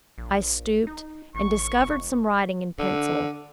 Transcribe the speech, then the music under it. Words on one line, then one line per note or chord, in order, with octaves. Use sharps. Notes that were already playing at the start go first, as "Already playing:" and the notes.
I stooped, and discovered some writing in pencil.
A#1
D#4
A1 C#6
F1
D3